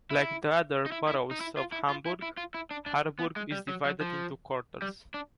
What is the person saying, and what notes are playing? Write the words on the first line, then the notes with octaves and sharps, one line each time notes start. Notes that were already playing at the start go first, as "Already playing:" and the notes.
Like the other boroughs of Hamburg, Harburg is divided into quarters.
E4
D#4
E4
E4
D#4
E4
F4
E4
F4
E4
E4
F4
E4
D4
D4
B3
G#3
G3
F#3
F#3
F3
G3
D4